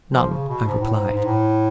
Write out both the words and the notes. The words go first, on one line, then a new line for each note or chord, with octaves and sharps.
"None," I replied.
F3
C#3
B2
G#2
A2
G#2
G#2
A2